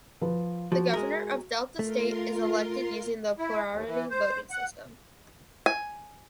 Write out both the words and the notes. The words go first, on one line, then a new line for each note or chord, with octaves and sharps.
The Governor of Delta State is elected using the plurality voting system.
F3 B4
F3 F#4
G#3 G#4 A#4
A3 F4 A#4 C6
E4
D#2
E3
C5
F#5
G#5